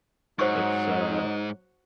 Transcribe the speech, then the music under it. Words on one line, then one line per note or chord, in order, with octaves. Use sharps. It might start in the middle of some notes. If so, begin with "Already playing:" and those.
that's uh,
G#2 F#3 D#4 C5 C#6